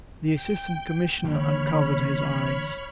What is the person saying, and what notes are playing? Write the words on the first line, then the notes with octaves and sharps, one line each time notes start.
The Assistant Commissioner uncovered his eyes.
G5
D3 E3 A#3 C#5 B5 F6